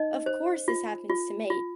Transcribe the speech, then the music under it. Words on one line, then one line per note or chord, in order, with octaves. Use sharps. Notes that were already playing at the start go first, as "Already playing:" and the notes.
"Of course, this happens to me."
Already playing: D#4 D#5
C5
F4
F4
F4